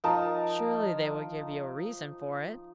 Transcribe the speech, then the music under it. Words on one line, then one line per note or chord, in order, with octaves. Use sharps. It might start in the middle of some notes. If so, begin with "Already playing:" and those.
Surely they will give you a reason for it.
F3 D#4 A#4 A5 A#5